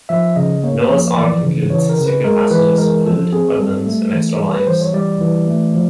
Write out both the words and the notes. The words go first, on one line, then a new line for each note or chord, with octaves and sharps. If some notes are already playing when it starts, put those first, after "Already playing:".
"Noah's Ark" includes secret passages, food, weapons and extra lives.
F3 E5
C#3 D#5
A#3 C#5
F3
E3 D5
C#3
E3 C#5
A#4
C#3
B4
G#3 A#4
E3 B4
G#3 A#4
F3 A4
C4 G#4
G3 A4
A3
E3
G3
B4
E3 C5
C#5
G3 D5
E3
A3
F3